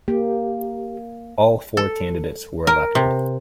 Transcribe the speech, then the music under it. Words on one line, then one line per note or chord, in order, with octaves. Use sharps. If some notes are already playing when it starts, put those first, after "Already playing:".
All four candidates were elected.
A#3 G4
A4
A#4
C3